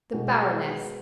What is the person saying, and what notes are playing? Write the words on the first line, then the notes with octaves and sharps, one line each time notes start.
"The Baroness."
B2 G#3